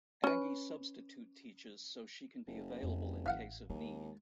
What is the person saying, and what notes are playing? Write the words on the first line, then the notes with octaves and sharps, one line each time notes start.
Aggie substitute teaches so she can be available in case of need.
C#4 B4
F#1
F2
A1 E3 F5 F#5
D#2 G#3